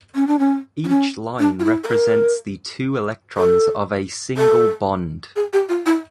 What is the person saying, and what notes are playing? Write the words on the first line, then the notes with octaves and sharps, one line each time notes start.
Each line represents the two electrons of a single bond.
C#4
D4
C#4
D4
C#4
D4
F4
E4
A4
A#4
A4
A4
G#4
G4
F4
E4